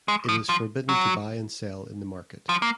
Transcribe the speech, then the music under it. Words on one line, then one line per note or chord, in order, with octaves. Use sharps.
It is forbidden to buy and sell in the market.
G#3
F3
F3
F#3
F3
A#3